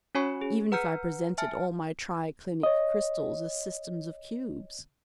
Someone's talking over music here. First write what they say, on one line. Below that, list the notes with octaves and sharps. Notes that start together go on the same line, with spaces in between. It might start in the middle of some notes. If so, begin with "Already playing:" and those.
Even if I presented all my tri-clinic crystals as systems of cubes----!
C#4 F#4 C#5 G#5 B5 C#6
G#4
B4 F#5 A#5 F6 G6 C#7
E5 G#5 A5 F6
C#5 D#5